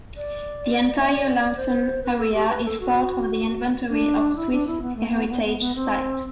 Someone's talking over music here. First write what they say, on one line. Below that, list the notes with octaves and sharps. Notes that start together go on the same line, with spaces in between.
The entire Lausen area is part of the Inventory of Swiss Heritage Sites.
D5
E5
D5
D5
D5
C5
B4
A4
G4
B4
A4
F#4
D4
E4
D4
E4
B3
A3
B3
B3
B3
B3
C4